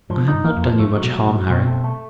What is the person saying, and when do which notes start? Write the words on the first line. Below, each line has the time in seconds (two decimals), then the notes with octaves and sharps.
I had not done you much harm, Harry.
0.10 G#2 F3
0.28 D#4
0.33 G2
0.44 A#3
0.56 F2
0.62 F3
0.79 G2 A3
0.97 F#3
1.03 B2
1.14 F#3
1.26 A#2
1.32 F#3
1.49 B2 C4
1.67 A3
1.84 A3